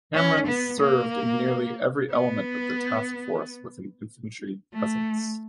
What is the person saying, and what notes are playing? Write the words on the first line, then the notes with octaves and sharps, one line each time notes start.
Camerons served in nearly every element of the task force with an infantry presence.
C#4
B3
A#3
B3
A3